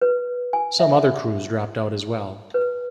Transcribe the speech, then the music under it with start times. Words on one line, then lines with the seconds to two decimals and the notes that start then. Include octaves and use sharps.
Some other crews dropped out as well.
0.02 B4
0.53 G#5
0.79 E5
2.54 B4